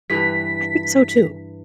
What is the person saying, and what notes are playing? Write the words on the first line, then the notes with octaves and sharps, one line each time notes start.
I think so too.
G2 E3 B4 B6